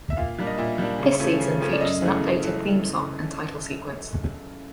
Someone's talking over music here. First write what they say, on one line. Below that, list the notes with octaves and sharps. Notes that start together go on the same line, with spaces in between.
This season features an updated theme song and title sequence.
E5
A#2 F5
G3 A#3 D4
D#5
A#2 E5
G3 A#3 D4
C#3
F3 A3 C#4
C#3
F3 A3 C#4
D5
F#2 D#5
C#3 E3 A3
F#2
E3 A3